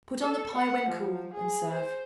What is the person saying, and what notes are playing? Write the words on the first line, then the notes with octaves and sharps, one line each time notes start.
Put on the pie when cool and serve.
A4
F#5
F3
G#4
C5